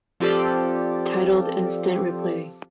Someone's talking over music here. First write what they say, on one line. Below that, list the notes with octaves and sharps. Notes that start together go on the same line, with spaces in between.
Titled Instant Replay!
F3 C4 F4 G4 A4 D5